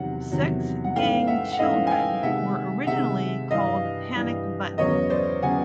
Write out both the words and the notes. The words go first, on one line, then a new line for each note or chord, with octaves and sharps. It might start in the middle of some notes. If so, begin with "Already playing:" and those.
Sex Gang Children were originally called Panic Button.
Already playing: E2 C3 D#3 F#3 F#5
E2 C3 D#3 F#3
F#5
G#2 E3 A3 C#4 F5 G5
E5 F#5
F#5
G#2 E3 A3 C#4 D#5 F5
G#5
F5 G5
C3 D#3 G#3 E5 F#5
C3 D#3 G#3 E5 F#5
G2 E3 G3 D#5 F5
G2 E3 G3
E2 C#3 F#3 B3 C#5 D#5
C5 D5
C#3 F#3 B3 F#5 G#5